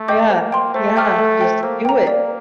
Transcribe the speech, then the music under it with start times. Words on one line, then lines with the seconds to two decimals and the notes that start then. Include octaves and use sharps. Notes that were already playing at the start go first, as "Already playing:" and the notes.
Yeah. Yeah, just do it.
Already playing: A3
0.08 D#5 G5 D6 G6
0.30 A#3 C5
0.52 G5 C6
0.74 A3 C5
0.97 G5 D6 F6
1.19 A4
1.41 C5 G5
1.63 A#3 C5
1.85 G5 A#5
2.07 A#3 D5